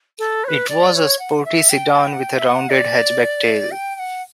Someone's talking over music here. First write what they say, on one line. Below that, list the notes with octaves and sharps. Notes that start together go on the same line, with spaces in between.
It was a sporty sedan with a rounded hatchback tail.
A4
C#5
B4
D5
C#5
F#5
E5
G5
A5
G5
F#5
G5
E5
F#5
D5
G5
G5
F#5